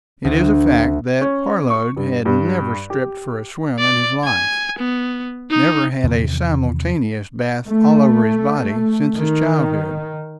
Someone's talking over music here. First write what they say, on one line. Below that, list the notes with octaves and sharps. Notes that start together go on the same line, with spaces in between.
It is a fact that Parload had never stripped for a swim in his life; never had a simultaneous bath all over his body since his childhood.
D2
C#4
C#6
G2
G2
G4
D5
G#5
B3
D#4
E2 C3 D#3 F3
A3
D#3